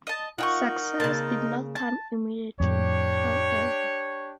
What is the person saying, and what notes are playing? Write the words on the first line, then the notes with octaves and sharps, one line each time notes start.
Success did not come immediately, however.
D#5 A5
D#4 F4 A#4 D#5 F#5 G5 C#6
C#3 A#3 C4 A5
A5
F2 A2 D4 G4 C#5